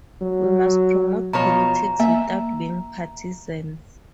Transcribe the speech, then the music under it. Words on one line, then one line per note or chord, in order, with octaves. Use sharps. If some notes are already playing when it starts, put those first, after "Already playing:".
We must promote politics without being partisans.
F#3
B2 F3 C#5 A#5
A#3 E5